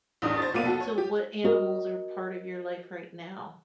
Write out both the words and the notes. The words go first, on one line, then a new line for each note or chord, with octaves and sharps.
So what animals are part of your life right now?
A1 E2 G2 D#3 D4 D#6
C5 C#5 A6
F1 B1 A#3 B3 D5 D#7
F#4 A4
C#5
G4
F#4 A#4 D#5